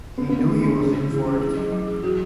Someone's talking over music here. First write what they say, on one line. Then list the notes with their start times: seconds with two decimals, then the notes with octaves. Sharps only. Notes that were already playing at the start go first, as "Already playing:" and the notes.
He knew he was in for it.
0.18 B3 D4
0.29 B3
0.33 D3
0.39 A3
0.49 G#3 D4
0.64 G#3 D4
0.80 C#3 C#4
0.94 D3 G#4
1.10 E3 G#4
1.26 C#4
1.41 E3 G#4
1.57 F#3
1.72 F#3
1.88 G#4
2.03 F#3 F#4